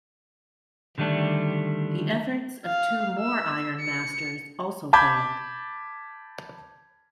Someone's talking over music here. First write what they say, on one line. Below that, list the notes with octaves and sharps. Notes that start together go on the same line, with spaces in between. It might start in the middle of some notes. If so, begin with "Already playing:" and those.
The efforts of two more iron masters also failed.
D3 D#3 G3 A3 D4
F5
E6
C#7
A5 B5 D6 G6 G#6